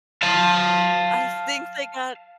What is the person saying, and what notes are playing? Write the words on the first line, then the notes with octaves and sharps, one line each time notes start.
I think they got
F5 A5